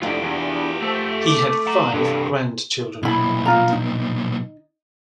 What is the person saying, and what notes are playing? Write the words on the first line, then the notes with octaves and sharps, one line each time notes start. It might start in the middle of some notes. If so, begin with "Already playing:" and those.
He had five grandchildren.
F2 A3 D4 E4 F4 G4 D5
E2 D4
A3 C5 A5 E6
D6
F#5 A#5
G2 C3 D4 A4
B1 A#2 E4 B5
F4 A#5
D#4